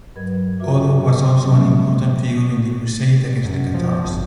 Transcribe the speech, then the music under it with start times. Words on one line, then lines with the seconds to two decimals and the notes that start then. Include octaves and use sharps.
Odo was also an important figure in the Crusade against the Cathars.
0.16 G2 F#3 A#4 B4 D#5 G#6
0.60 F4 F#4 E5 D6
1.04 C#3
1.44 C3 F3 F#3 G#3 C#4 E5
3.45 F#2
3.74 F3
4.04 G#1